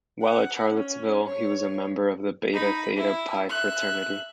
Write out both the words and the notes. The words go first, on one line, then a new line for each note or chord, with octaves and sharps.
While at Charlottesville, he was a member of the Beta Theta Pi fraternity.
F#5
C#4
C#5
D#4 B5
E4
E5 F#6